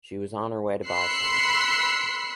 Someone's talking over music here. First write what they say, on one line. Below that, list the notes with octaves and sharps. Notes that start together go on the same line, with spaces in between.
She was on her way to buy some.
B5 C6 E6 F#6 C7 C#7